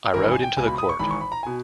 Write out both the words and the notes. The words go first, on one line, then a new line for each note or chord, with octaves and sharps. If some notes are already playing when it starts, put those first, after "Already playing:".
I rode into the court.
G#1 G2 E3 A#4
G#5
G5
C#2 B2 G#5
B5
D#6
B5
C#6
G#1 G#2 E3 B5
C#6
B5
A#5
B2 G#5